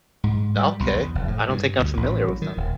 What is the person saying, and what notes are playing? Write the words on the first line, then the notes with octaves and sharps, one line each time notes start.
Okay. I don't think I'm familiar with them.
G#2
G3
B1
E2
F1
A2
G2
D2
A1
F#3
D#3
D#1